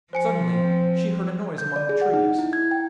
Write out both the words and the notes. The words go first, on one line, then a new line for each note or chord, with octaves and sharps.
Suddenly she heard a noise among the trees.
F3 C5 G#5 C#7
C4
G6
D5
G#4
F#5
D#4
E4
G#6
G5